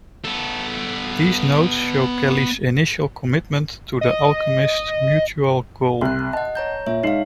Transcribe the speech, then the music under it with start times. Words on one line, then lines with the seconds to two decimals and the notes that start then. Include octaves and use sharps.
These notes show Kelley's initial commitment to the alchemists' mutual goal.
0.25 B3 A4
4.01 D#5
6.01 C2 C6 F#6
6.33 D#5 F#5 A5
6.55 C#5 A#5 G6
6.87 A#2 C#5 E5
7.03 G#3 D#4 F5 C7 F#7